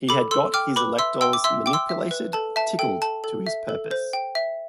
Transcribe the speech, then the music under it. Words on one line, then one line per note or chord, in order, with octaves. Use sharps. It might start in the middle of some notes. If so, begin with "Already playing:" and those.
He had got his electors manipulated, tickled to his purpose.
A4 B5 D6
A4 C6 E6
G5 D6 F6
B4 B5 D6
E5 C6 E6
G5 C6 E6
D6
E5 C6 E6
G5 D6
C6 E6
E5
B4
A4 A5
E5 A5
A4 G5
A4 A5
A4
E5
A4
C5
G5
E5